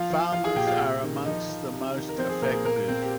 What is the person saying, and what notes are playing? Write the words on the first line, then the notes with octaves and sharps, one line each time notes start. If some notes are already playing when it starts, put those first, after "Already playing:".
Farmers are among the most affected.
Already playing: F3 F4 F5
F3
F3 F4 F5
G#4 G#5
A#2 G4 G5
F4 F5
C3
D#3
F3 D#4 D#5
F3
C3
D#3
A#4
F3 C4 C5
G#4
A#2 A#3 A#4
G#4
A#2 A#3 A#4
A#4
A#2 C4 C5
G4